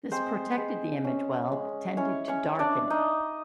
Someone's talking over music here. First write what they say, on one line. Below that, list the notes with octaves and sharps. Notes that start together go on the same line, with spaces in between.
This protected the image well but tended to darken it.
G#3 C4 C5
G#3
C#4
G#3
C#4 E4 C#5
C#4 C#5
E4
D4 D5
D#4 E4 D#5